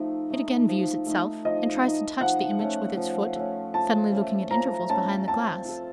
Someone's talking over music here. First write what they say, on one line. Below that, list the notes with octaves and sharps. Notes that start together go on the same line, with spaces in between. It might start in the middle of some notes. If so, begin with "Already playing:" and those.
It again views itself, and tries to touch the image with its foot, suddenly looking at intervals behind the glass.
Already playing: F3 A3 D#4
A3 D#4
F3
A3 D#4
F3 D#5
A3 D#4
F3 F#5
A3 C#4
F3
A3 C#4
F3 A5
A3 C#4
F3 A#5
A3 C#4 A5
C4 A5
F4 A4